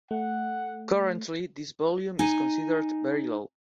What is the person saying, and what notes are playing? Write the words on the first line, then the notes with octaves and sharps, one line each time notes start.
Currently, this volume is considered very low.
A3 F#5
D#4 G#5